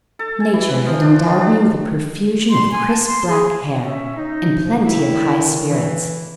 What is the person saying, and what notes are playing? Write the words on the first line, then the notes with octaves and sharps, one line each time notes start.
Nature had endowed me with a profusion of crisp black hair, and plenty of high spirits.
A4
G#5
E3
F#5
F3
D4
D#3
D4
C6
G#5
A5
C6
G#4
C#4 E5
D#4
B2 F3
D2 C3 D#3 E4
E3